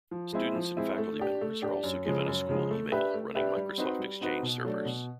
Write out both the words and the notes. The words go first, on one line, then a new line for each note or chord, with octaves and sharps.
Students and faculty members are also given a school email, running Microsoft Exchange Servers.
F3
G#3 C4 E4
F3
G#3 C4 E4
A3
D4 G4
A3
D4 G4
F#2
C#3 F3 G#3
F#2
C#3 F3 G#3
A3
D4 G4 B4 E5
A3
D4 G4 B4 E5
G3
C4 D#4 F#4 B4
G3
C4 D#4 F#4 B4
B2
F#3 A3 D4
B2